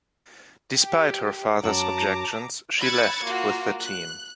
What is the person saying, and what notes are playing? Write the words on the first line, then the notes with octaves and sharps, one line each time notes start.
Despite her father’s objections, she left with the team.
G4
F#2 F#4 F#5 A5 A#5 D6
B5 E6 F#6 G#6 A6 C#7
A#3 F4 F#4
F#6